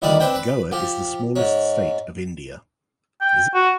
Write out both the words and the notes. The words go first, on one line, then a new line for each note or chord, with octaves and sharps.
Goa is the smallest state of India.
A1 D2 D#3 G3 B4 D5
C4 D4 B4 C5 G5
B4
F3 G4
G#2 C#4
G5
F#4